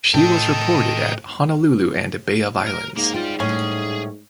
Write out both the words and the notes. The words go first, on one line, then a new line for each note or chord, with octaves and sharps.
She was reported at Honolulu and Bay of Islands.
A2 A4 D#5 G5
A#4
G#2 A#3
F4 D5 G5
A2 G3 C#4 G#4